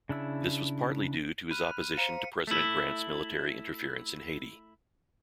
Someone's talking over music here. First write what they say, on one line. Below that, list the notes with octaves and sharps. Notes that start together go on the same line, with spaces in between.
This was partly due to his opposition to President Grant's military interference in Haiti.
C#3 D4 E4 E6
B5 F6 F#6 D#7
C5 F5 A#5 C#7
A3 E4